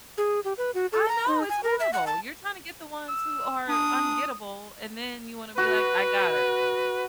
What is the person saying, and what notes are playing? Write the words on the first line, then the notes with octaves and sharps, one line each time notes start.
I know it's horrible, you're tryna get the ones who are ungettable and then you wanna be like, "I got her."
G#4
G4
B4
F#4
A4
A#5
D#4
G#5
A#4
E5
F#5
A5
E6
D4 D#6
F#4 B4